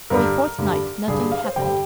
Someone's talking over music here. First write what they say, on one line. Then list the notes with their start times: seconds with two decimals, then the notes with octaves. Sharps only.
For a fortnight nothing happened.
0.10 G2 D3 G3 A#4
0.58 G2 D3 G3
1.07 G2 D3 G3 G#4
1.19 G#4
1.31 F5
1.44 C5
1.56 G2 D3 G3 G5